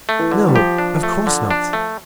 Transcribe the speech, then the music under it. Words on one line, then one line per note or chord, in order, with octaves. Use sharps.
"No, of course not."
A3
E3
D3
G3
F3 G4
D4
A3
D3
D4
A3